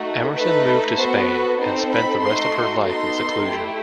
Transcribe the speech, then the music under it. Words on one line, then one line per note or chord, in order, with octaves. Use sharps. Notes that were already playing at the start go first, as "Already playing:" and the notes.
Emerson moved to Spain and spent the rest of her life in seclusion.
Already playing: A3 D#4 F#4
A3 D#4 A4 B4
B3 F#4 A4 C5
B4
C4 D#4 A4 C5
B5
A3 D#4 F#4 A4 C6
B3 D#4 A4 C6
A3 E4 G4